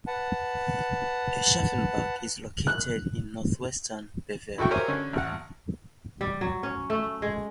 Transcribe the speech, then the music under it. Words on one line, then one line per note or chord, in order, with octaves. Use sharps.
Aschaffenburg is located in northwestern Bavaria.
B4 F#5 A5
F#6
E4 F#4 A4 G5 C#6
G4 A#4 C5 C#5 E5 G#5
D3 C#4
A1 F#5
G3
F#3
C#4
A3
G#3